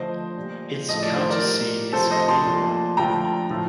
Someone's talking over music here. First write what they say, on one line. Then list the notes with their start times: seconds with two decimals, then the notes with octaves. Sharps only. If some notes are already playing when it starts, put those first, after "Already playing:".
Its county seat is Cleburne.
Already playing: D3 F3 A3 C5 D#5
0.37 A#2 G3
0.89 A2 F3 A3 D#5
1.02 D5
1.16 C5
1.30 A#4 D5
1.40 A2 G3
1.93 C3 F3 A3 A4 C5
2.11 C5 D#5
2.28 A5 C6
2.45 A#2 F3 A3
2.97 D3 F3 A3 G5 A#5
3.49 A2 F3 A3